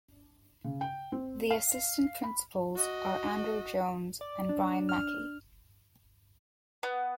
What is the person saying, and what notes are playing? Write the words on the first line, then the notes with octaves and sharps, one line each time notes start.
The assistant principals are Andrew Jones and Brian Mackey.
C#3
G5
C4
F5
B5
F#4 D#5
D5
D4
F6
B3